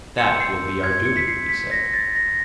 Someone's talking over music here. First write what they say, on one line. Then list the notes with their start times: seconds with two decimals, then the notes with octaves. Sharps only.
That will be our duty, he said.
0.18 C6 E6 G6 C#7
0.40 C7
0.84 G#6
1.05 C#7
1.17 B6
1.27 C7
1.49 B6
1.71 A#6
1.94 A6
2.15 A#6